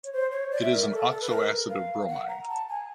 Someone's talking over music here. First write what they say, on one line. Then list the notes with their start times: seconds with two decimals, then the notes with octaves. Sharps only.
It is an oxoacid of bromine.
0.04 C#5
0.13 C5
0.32 C#5
0.51 D5
0.62 E5
0.72 A#4
0.92 A4
1.10 A4
1.21 B4
1.30 A#4
1.70 F5
2.09 F#5
2.29 A#5
2.49 A5
2.69 G#5